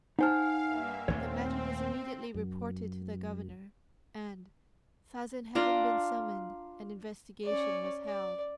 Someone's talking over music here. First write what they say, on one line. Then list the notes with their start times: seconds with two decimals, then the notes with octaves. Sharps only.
The matter was immediately reported to the governor, and, Sazen having been summoned, an investigation was held.
0.19 D#4 C5 F5 F#5 G#5 A5 F6
0.64 G2 A#3 E5
1.08 D#2 A#2 A3 C4 C#5
2.35 F#2
5.55 D4 F4 D5 A#5
7.45 C#4 D5
8.05 D5